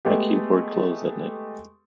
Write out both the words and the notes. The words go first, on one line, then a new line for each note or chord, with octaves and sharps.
My keyboard glows at night.
G#3 A3 B3 G4